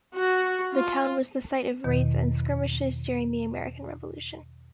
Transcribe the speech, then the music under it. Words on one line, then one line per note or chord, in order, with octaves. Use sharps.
The town was the site of raids and skirmishes during the American Revolution.
F#4
F4
E2 B2 D#3